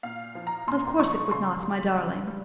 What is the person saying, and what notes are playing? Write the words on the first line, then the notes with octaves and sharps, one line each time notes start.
"Of course it would not, my darling."
A#2 F5
F3
A#5
A#2 C6
F3 C#6
C#3 C6
G3
C#3
G3